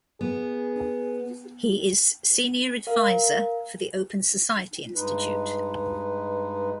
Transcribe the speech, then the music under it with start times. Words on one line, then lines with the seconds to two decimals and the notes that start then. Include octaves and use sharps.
He is Senior Advisor for the Open Society Institute.
0.21 B3 G#4
2.87 A#4 F5
4.96 G2 G#3 D#4 B4